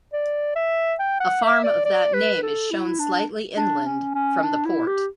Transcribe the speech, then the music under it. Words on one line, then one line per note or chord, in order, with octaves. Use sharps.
A farm of that name is shown slightly inland from the port.
D5
E5
G5
F#5
E5
D5
D5
B4
A4
E4
D4
D4
C#4
C#4
D4
E4
G4